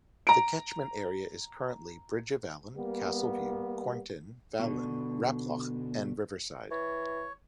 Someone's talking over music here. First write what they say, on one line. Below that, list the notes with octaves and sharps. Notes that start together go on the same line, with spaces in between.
The catchment area is currently: Bridge of Allan, Castleview, Cornton, Fallin, Raploch and Riverside.
A#5 D7
G3 A#3 B3
B2 D3
E3 C#5